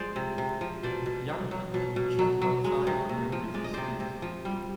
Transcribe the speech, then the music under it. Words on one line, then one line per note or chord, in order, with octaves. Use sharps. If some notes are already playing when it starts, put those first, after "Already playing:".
Young people chat outside near a buzy street.
Already playing: F3 G#3 C5 D5
C3
C3
F3
B2 C5 D5
B2
F#3
F#3
B2
B2
F#3
F#3
G#3
C3
C3
F3
G#3 D5
D#5
C3 C5 D5
C3
F3
G3